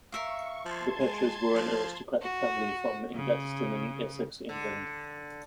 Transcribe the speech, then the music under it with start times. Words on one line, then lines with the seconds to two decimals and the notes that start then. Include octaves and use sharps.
The Petres were an aristocratic family from Ingatestone in Essex, England.
0.12 A#4 E5 F5 C#6
0.65 F3 A5 C6 G#6
1.00 G#3
1.55 F3
2.21 F#4
3.13 C#3
4.49 D3